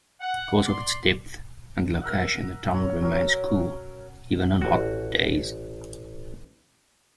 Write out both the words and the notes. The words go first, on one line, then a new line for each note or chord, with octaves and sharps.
Because of its depth and location, the tunnel remains cool even on hot days.
F#5
D5 C6
A#4 E5 F#5
C#5
F#3 C#4 A#4
A1 F#4